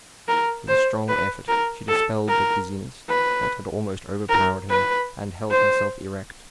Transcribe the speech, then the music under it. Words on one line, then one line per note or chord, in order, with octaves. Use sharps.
With a strong effort she dispelled the dizziness that had almost overpowered her, and held herself erect.
A#4
C5
B4
A#4
A4
A#4
B4
A#4
B4
C5